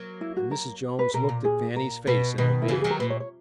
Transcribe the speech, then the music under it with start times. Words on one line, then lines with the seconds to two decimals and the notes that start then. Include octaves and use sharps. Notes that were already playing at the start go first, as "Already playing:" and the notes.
And Mrs. Jones looked at Fannie's face and obeyed.
Already playing: F#3 A#3
0.21 E4
0.37 F#4
0.51 A#4
0.99 B4
1.14 B2 A#4
1.29 A#2
1.45 G#4
1.76 A#4
2.07 B2 B4
2.38 B2 D#3 B4
2.62 E4
2.68 C#3 E3 F#4
2.81 D#3 F#3 G#4
2.90 A#4
3.00 A#2 B4
3.10 C#5
3.20 C#5